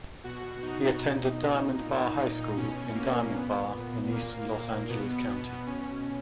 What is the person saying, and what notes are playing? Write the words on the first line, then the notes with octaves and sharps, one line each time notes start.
He attended Diamond Bar High School in Diamond Bar, in eastern Los Angeles County.
B2 F#4
D#4
B2
A#2
B2 C#4
A#3
A#2 B3
A#2 A#3
B2 B3
B3
B2 C#4